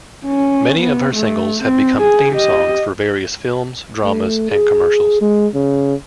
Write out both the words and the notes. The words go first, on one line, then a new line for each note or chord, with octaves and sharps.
Many of her singles have become theme songs for various films, dramas, and commercials.
C#4
B3
A3
C4
G#4
G4 D#5
A3
G#4
G#3
C#3